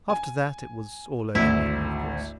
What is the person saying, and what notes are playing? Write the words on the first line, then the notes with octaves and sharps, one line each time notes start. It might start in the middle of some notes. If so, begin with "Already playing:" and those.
After that it was all over with me, of course.
G#5
G#1 D2 E4